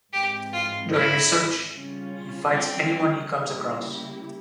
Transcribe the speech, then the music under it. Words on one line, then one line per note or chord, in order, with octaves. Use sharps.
During his search, he fights anyone he comes across.
G#2 E3 G#3 C4 G4
F4
E4
C#3 G3 C#4 F4
C4
C#3 G3 A#3 E4 G4